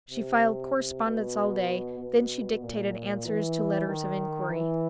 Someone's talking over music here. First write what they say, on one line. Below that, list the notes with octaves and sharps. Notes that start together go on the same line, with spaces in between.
She filed correspondence all day; then she dictated answers to letters of inquiry.
C3
C3
B2
B2
A#2
E3
D#3
E3